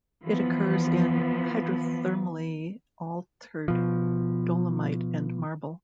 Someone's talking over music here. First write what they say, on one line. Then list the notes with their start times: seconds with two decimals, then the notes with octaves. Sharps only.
It occurs in hydrothermally altered dolomite and marble.
0.24 E3 F3 B3
3.68 B2 F3